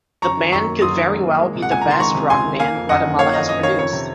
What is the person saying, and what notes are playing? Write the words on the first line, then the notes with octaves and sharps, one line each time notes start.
The band could very well be the best rock band Guatemala has produced.
F#2 A#5 C#6
D#3
F#2 A#5 C#6
A#3
F#2 C6 D#6
D#3
F#2
A#3
G#3
C3
F#5
C#2 G#5
D#3 A#5
C6
G#3 A#5 C#6
C3
C#2 G#5 C6
D#3
A#3 F5 G#5
F2
F#1 D#5 F#5
D#3
A#3 C#5 F5
F2 D#5
F#1 D#5
D#3 C#5 F5
F2 C#5
C3